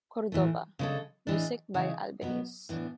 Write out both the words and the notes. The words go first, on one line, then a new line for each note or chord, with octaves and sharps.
Cordoba, music by Albeniz.
A2 E3 A3
C#3 G#3 D4 A4
A2 E3 G#3 D4
C#3 E3 G#3
B2 F#3 B3
A2 E3 B3 D4